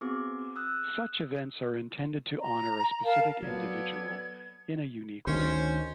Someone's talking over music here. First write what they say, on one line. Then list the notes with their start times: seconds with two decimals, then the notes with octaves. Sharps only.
Such events are intended to honor a specific individual in a unique way.
0.01 B3 C4 F#4 G#4 D6
0.56 D#6 E6 F#6
2.40 A#5
3.04 A#4 F5 A5
3.42 F#3 B3 A4 D5 G#6
5.27 D2 D#3 C#4 C5